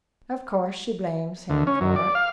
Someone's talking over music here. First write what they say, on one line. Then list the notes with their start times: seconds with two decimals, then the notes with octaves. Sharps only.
Of course she blames him for it.
1.50 D2
1.67 C#4
1.81 F#2
1.96 D5
2.15 F5